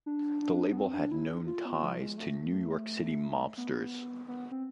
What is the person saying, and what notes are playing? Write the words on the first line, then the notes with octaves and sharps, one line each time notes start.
The label had known ties to New York City mobsters.
D4
D4
B3
C4
D4
E4
F4
B3
F3
G#3
A3
B3
B3
C4